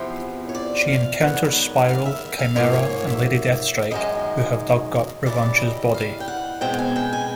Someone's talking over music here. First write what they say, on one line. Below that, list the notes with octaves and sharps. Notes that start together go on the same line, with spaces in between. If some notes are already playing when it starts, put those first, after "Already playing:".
She encounters Spiral, Chimera and Lady Deathstrike who have dug up Revanche's body.
Already playing: E2 C3 F3
C#5
D5
F5
F#2 D#3 G#3 B3 F#5
F5
E5
F5
G#2 F3 A#3
C#5
C#5
E5
F#2 D#3 G#3 D#5
C#3 E3 G3 D5
D#5
F5
G5
F#5
B2 G#3 C4 G5
G#5
G5
G#5